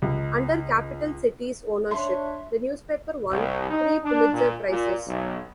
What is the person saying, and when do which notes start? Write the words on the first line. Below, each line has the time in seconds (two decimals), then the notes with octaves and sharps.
Under Capital Cities ownership the newspaper won three Pulitzer Prizes.
0.02 C#2
1.91 D4 C#5 E5 C6
3.30 C2
3.70 D#4
4.03 D4
4.33 A#2
4.68 A#2
5.07 B1